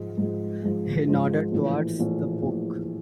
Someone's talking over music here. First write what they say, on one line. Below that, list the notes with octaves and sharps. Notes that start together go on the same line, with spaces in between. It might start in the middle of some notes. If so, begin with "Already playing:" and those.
He nodded towards the book.
Already playing: G#2 F3 G#3
G#2 F3 G#3
G#2 F3 G#3
G#2 F3 G#3
A#1 A2 E3
A#1 A2 E3
A#1 A2 E3